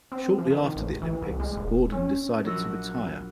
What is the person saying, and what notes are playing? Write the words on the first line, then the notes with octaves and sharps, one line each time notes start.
Shortly after the Olympics Bordin decided to retire.
C4
F3
D#3
A1
E3
C2
G#3
D#1
C#4
A#1 F#3 F#4 E6 F#6 A#6